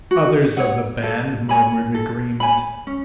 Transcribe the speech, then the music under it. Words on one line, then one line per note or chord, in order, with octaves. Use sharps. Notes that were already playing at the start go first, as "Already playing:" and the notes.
Others of the band murmured agreement.
F#4
C#5 F#5
A4
C#5 G#5 B5
A4
C#5 G#5 B5
C#4